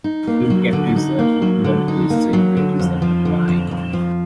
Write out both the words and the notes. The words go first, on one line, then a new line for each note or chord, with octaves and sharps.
Team captains were popular based celebrities of the time.
D#4
A#3
F#3
D3
D#4
A#3
F#3
D3
D#4
A#3
F#3
D3
F2
F3
D3
F2
F2
F3